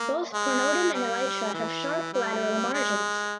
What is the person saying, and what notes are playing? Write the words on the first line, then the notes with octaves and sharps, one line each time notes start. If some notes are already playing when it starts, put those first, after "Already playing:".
Both pronotum and elytra have sharp lateral margins.
Already playing: A#3
G#3
G3
E3
G3
G#3